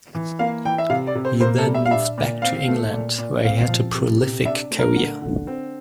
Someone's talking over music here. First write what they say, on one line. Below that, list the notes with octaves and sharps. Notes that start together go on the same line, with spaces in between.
He then moved back to England where he had a prolific career.
E3
A#3 F5
E3 G5
E5
C3 F5
D5
C3
C5
A#3 C5
A4
G3
E5
F5
D4 E5
A#2
C4 F5
A3
A#2
A#2
C4 F5
F3
C3
C3
D4 E5
A3
A#4
D3
D3
C4